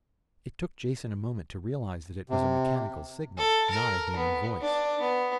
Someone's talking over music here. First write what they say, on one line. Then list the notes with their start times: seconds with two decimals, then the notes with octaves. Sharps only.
It took Jason a moment to realize that it was a mechanical signal, not a human voice.
2.30 C3
3.38 A4
3.70 A#4
4.16 B3
4.61 D4
5.00 B3